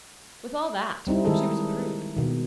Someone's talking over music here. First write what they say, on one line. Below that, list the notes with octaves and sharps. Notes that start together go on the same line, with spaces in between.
With all that she was a prude.
G3 C4 D#4 E4
D#3 G#3 D#4 E4 G#4 A4
B2 D#3